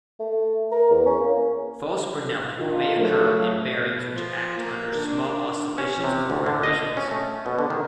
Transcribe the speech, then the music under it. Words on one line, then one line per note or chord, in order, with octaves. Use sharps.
False brinelling may occur in bearings which act under small oscillations or vibrations.
A3
A#4
E2
C#4
A#3
D#3 D4 F4
C#3 F3 F#3 A3
B2
F3
A#3
D#3 D4
C#4
C3
D2
D3
D#5
C#4
A3
B2
D3
D#3